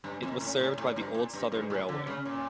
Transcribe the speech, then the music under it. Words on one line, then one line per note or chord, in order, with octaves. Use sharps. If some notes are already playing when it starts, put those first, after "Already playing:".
It was served by the old Southern Railway.
G2
F2
A2
A2
A2
G2
A#2
G2
G2
A2
D3
C#3
A#2